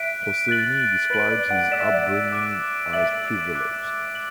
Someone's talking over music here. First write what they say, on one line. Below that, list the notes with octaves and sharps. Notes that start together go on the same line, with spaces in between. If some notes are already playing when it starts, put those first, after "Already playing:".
Hosseini describes his upbringing as privileged.
Already playing: E5 F#6 B6 D7
F#6 A6 F#7
B4 A6 D7 F#7
D5
F#5
D5 E6 B6 E7
E5
D5
D6 F#6 D7
E5 A6 D7 F#7
D6 F#6 A6 D7
F#7